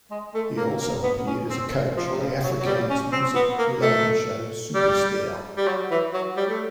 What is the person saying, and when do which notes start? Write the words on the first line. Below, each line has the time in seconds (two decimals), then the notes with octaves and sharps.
He also appeared as a coach on the Afrikaans music reality show "Supersterre".
0.11 G#3
0.35 A3
0.57 A#3
0.81 A#3
1.03 B3
1.27 C#4
1.50 C4
1.97 F3
2.10 C3
2.20 C#3
2.44 F#3
2.60 F#3
2.66 G3
2.90 C#4
3.12 C4
3.35 B3
3.59 A#3
3.82 A3
4.75 G3
5.57 G3
5.68 F#3
5.91 E3
6.14 F#3
6.37 G3
6.49 A3